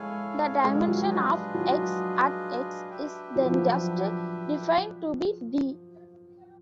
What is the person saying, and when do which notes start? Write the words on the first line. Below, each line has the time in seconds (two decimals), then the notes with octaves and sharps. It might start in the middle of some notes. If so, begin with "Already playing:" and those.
The dimension of "X" at "x" is then just defined to be "d".
Already playing: G#3 E4 A4 C#5 F5 G#5
0.64 G#3
0.76 G3
0.88 F#3
0.99 G3
1.09 D4 F4 G#4 B4 D#5
1.55 F#3
2.90 D4 G4 B4 E5 G5
3.36 F#3
3.44 F3
3.52 F#3